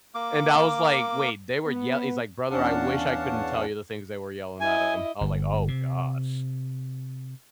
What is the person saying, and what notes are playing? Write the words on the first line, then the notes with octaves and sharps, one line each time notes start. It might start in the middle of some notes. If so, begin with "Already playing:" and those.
And I was like, "Wait, they were yell" he's like, "Brother, I wish I couldn't tell you the things they were yelling at him." I was like, "Oh gosh."
A#3 D6
B3
E2 C#4 D4 F5 F#5 A5
E4 D#5 G#5
G1
C3